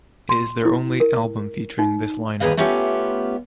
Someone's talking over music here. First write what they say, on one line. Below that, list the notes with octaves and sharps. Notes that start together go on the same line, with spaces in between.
It is their only album featuring this lineup.
C6
E4
A#4
D#4
D#2 C#3 G#4 B4 D#5 F5
A3 B3 C#4 F4 G4